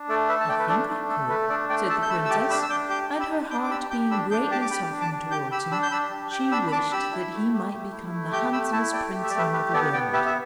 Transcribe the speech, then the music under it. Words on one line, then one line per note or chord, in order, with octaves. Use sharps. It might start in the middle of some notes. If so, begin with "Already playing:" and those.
"I think I could," said the princess, and her heart being greatly softened towards him, she wished that he might become the handsomest prince in all the world.
Already playing: D4
A3 A4 D5
A4 B4 E5
A5
A3 D5 G5
B4
D4 A4 D5
A3
A4
A3 B4
D4 A4 D5
A3 D5 G5
A4 E5 A5
G6
A3 B5 E6
E6
G4 A5 D6
D4 B5 E6
E6
D4 D6 G6
G4 D6 G6
G4
B5 E6
D4
D4 D6 G6
D6
G4 B5 E6
G4 D6 G6
D4 B5 E6
D4 D6 G6
G4 A5 D6
D6
G4 G5 B5
D4
A5 D6
D4
G4 D6 G6
G4 B5 E6
D4 B5 E6
G6
D4 B5 E6
G4
G4 D6 G6
D4 B5 E6
B5
D4 A5 D6
G4 B5 E6
E4
A3
G4
A3
E4
A3
G4 D6 G6
A3 B5 E6
E4 E5 A5
A3 D5 G5
G4
E5
D5
A3 B4 E5
G4 B4
B3 A4 D5
B3 D5 G5
G4 B4 E5
E5